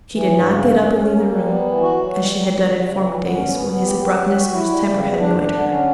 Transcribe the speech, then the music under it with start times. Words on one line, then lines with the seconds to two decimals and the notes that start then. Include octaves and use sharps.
She did not get up and leave the room, as she had done in former days, when his abruptness or his temper had annoyed her.
0.14 E3
0.30 G2
0.47 C#3
0.64 F#2
0.81 C#4
0.98 C#4
1.14 A#3
1.31 G3
1.48 B3
1.65 E3
1.83 F#4
1.99 F#3
2.16 G3
2.34 D2
2.49 G3
2.66 G3
2.83 C#3
3.00 E3
3.18 D3
3.34 C#4
3.51 B3
3.68 B3
3.84 G4
4.01 G4
4.19 F#3
4.36 F#4
4.52 E4
4.70 G3
4.86 C#3
5.03 E2
5.20 D4
5.37 D4
5.53 D3
5.70 C#4